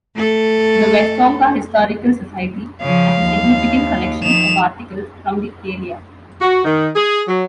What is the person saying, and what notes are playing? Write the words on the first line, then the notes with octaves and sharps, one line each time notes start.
The Westonka Historical Society has a significant collection of articles from the area.
A3 A4
C#3 F3 F5
D#2
D#3 F3 E7 F7
F#4
D#3
G#4
F#3